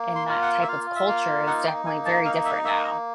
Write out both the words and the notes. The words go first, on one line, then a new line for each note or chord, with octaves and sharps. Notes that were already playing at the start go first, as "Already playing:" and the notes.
and that type of culture is definitely very different now.
Already playing: A#3
C6
F4
F#5
E5
F4 F5
E5
A#3 F5
D#4 F#5
G5
A#3 G#5
A5
D#4 F5
E5
A#3 E5
D#5